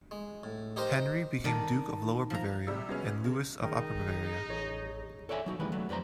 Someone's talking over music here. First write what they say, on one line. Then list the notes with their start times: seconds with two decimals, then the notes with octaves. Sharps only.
Henry became Duke of Lower Bavaria, and Louis of Upper Bavaria.
0.11 G#3
0.43 A2
0.76 D#4 G4 A#4 C5 D#5
1.44 D#3 D#4 D5 A5
2.30 F3 A#5
2.67 C3 G3 E6
2.87 F#3 G#3 B3 C#4
3.24 C#3
3.62 D#3 D#4 G#4 G5
4.49 A1 C#5
5.29 A4 C#5 D5 E5 G#5
5.46 F#3 D#4 F#4
5.60 D#2 E3 G#3 E4 B4
5.72 F#3 A3
5.89 F2 G3 B4 C5 A#5